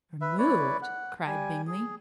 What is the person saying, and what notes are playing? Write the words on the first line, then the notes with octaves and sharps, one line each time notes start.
"Removed!" cried Bingley.
B4 E5
E4 B4 C#5 D5
F#5
G3 G#5
G#4